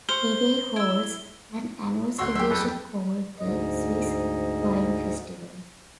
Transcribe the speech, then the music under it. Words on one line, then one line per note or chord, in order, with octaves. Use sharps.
Vevay holds an annual celebration called the Swiss Wine Festival.
C5 C#6 F6 G7
E4 E6
D2 F#4 C#5 C6 E6
F#3 G4 G#4 E5
F2 A4 B4 G6
D2 G#2 D#5